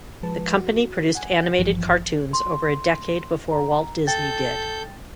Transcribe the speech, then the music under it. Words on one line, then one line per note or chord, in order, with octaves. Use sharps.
The company produced animated cartoons over a decade before Walt Disney did.
F3 G#3 B4 A5
F#4
F#5 G#5
G#1 G2 E3 F3
C6
A#5
A4 G5 G6 A6